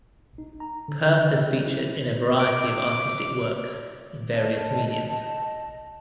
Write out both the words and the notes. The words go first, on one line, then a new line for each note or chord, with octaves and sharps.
Perth has featured in a variety of artistic works in various mediums.
D#4
A#5
D3
D5
E4
D6
D#5 A5